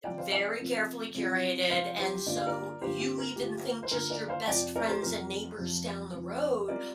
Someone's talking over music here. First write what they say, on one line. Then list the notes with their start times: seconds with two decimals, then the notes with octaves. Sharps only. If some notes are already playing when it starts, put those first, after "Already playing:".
very carefully curated, and so you even think just your best friends and neighbors down the road
0.04 C3 F3 C4 F4 D5 G5
0.18 C5 F5
0.32 D5 G5
0.60 C3 F3 C4 F4
1.15 C3 F3 C4 F4
1.70 C3 F3 C4 F4 C5 F5
1.98 G4 C5
2.26 G2 D3 A#3 F4 D5
2.37 F5
2.47 A#4 D5
2.82 G2 D3 A#3 F4 G4 C5
3.00 G4
3.18 A#4
3.36 G2 D3 A#3 F4 G4
3.65 A#4
3.83 C5
3.91 G2 D3 A#3 F4 A#4
4.10 A#4 D5
4.28 C5 F5
4.47 F2 C3 F3 D5 G5
4.76 A#4 D5
4.88 G4 C5
5.02 F2 C3 F3 A#4
5.58 F2 C3 F3
6.13 F2 C3 F3
6.68 G3 C4 F4 A#4 D5